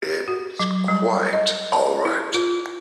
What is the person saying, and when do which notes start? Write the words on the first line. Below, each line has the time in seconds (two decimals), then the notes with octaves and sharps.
It's quite all right.
0.28 F#4
0.59 F#3
0.88 G3
1.33 D#5
1.72 A5
2.05 E4
2.34 F4